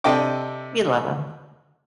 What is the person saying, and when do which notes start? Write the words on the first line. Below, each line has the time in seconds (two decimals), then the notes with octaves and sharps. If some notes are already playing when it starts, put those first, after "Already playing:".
We love 'em.
0.04 C3 A4 D5 D#5 G5 D6